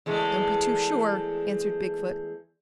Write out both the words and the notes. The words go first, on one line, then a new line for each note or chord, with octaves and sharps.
"Don't be too sure," answered Big-foot.
E2 G#3 A3